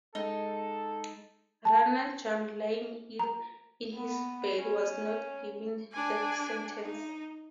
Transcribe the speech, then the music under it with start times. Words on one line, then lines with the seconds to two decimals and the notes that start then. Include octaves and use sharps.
Rana Jang lying ill in his bed was not given death sentence.
0.15 G#3 D#4 A4 D#5 G7
1.65 A5
3.19 A#5
3.94 B3
4.58 C#4
5.92 D4 G#5
6.82 D#4